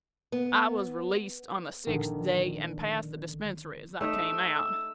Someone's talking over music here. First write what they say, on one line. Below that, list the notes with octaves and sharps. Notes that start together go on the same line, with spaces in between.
I was released on the sixth day and passed the dispensary as I came out.
B3
A#1 D3 D#3
A3 D#4 E5 E6